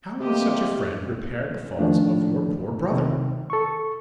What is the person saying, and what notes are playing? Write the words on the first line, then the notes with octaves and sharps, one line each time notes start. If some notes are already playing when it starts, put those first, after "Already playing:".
How would such a friend repair the faults of your poor brother!
C3 A#3 G4 D#5
D#3 F3 A3 D4
C3 D#3
A4 C#6